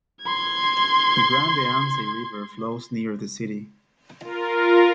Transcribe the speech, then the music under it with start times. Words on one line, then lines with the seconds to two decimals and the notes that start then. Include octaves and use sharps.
The Grande-Anse River flows near the city.
0.23 C6 G#6
4.21 F4 A#4